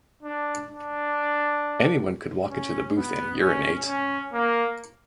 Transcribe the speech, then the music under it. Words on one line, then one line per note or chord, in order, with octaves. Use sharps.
Anyone could walk into the booth and urinate.
D4
D4
C#4
B3
C#4
C#4
A#3